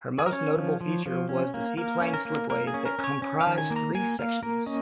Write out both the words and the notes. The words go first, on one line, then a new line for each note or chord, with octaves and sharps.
Her most notable feature was the seaplane slipway that comprised three sections.
G#4
A#4
C#4 C#5
F3
F3
F3
C#4
A#3
A#3 A#4
C#4
A#4
A#3
A#3 A#4
G#4
C#4
A#4
C#4
C#5
C#4
F5
D#3
G#5
A#3
A#5
A#3 G#5
A#3 F5
A#3 A#4
C#4 D#5